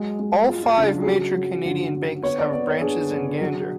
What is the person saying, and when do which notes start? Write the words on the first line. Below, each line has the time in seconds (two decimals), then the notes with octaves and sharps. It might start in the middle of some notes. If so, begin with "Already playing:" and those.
All five major Canadian banks have branches in Gander.
Already playing: F#3 G#3
0.19 G#3
0.48 G#3 F4
0.63 F4
0.77 C#3 D4
0.92 F4
1.02 G#4
1.06 F#3 F#4
1.36 F#3
1.66 D3
1.94 D3
2.23 B3 C#5
2.38 D5
2.53 B3 D5
2.67 C#5
2.81 D4 G#4
3.11 D3
3.41 F#3